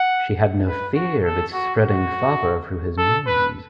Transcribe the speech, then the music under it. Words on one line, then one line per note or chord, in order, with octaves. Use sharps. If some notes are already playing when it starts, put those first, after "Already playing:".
She had no fear of its spreading farther through his means.
Already playing: F#5
B4
F#4
A4
F#4
F#4
A4
B4